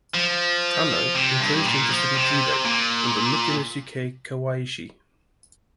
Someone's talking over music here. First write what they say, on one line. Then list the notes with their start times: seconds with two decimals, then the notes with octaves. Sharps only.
Kano encouraged him to study Judo under Mikinosuke Kawaishi.
0.15 F3
1.15 C3
1.40 G2
1.64 A#2
1.89 F3
2.15 C3
2.65 A#2